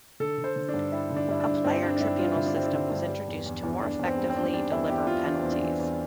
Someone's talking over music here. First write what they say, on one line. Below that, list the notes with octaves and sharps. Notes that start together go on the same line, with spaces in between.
A player tribunal system was introduced to more effectively deliver penalties.
D3 A4
D3
C5
D3
D4
G2
G3 E4
D3
D4
G2 E4
D4
G2
G2 C4
G3 D4
D4
G2 E4
G2 F4
D3 E4
D4
G2 C4
D4
D3
G2
G3
E2
E2
E2
E2 D4
E2
C4
G3
C4
G3 D4
C4
G3 D4
E2 E4
E2 G4
E2 F4
E3 D4
E2 C4
D4
E3
E2